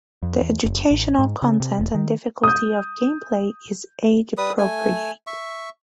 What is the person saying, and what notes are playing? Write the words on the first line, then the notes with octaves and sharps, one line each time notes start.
The educational content and difficulty of gameplay is age appropriate.
F2
E2
F#1
A1
G#2
C#3
C3
E1
D#3
D#6 G6
G3 B4 D#6
A3 G#5
E5 C#6